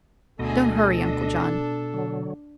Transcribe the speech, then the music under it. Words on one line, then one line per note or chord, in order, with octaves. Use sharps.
Don't hurry, Uncle John.
D2 B2 D3 A3 G#4 A4 D#5
D4
D3 F#3